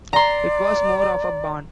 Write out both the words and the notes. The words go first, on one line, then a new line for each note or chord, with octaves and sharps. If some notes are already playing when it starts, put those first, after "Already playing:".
It was more of a barn.
D5 A#5 C6